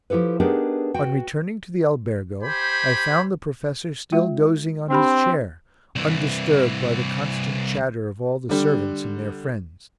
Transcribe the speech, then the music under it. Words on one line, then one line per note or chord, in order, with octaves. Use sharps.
On returning to the albergo I found the professor still dozing on his chair, undisturbed by the constant chatter of all the servants and their friends.
F3 E4 G4 A4 B4
B3 D4 D#4 G4 G#4 A#4
F#4 G5
G4 C5 G#5 B5
G#3 F4 E5
C4 D4 G4 B5
C2 E3
D3 G3